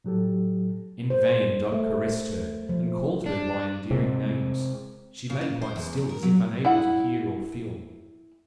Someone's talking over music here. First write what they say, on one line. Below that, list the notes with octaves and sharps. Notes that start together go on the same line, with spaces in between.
In vain Dot caressed her, and called her by endearing names; she lay quite still, as if unable to hear or feel.
A2 F#3 G4 A4
C5
A3
F3
D4
C3 G#3 C4
C#3
A#2
C5
E2
E2
A#4
F#3
E4 F#5